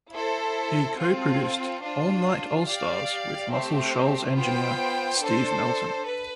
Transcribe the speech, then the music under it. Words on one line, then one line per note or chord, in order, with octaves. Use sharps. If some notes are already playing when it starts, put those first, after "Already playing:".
He co-produced "Allnight Allstars" with Muscle Shoals engineer Steve Melton.
E4 A4 C5
C4 F4 A4
D4 F4 C5
G4 D5 F5
A3 C4 G4 C5
B3 F4 C5 G5
D4 A4 C5
B4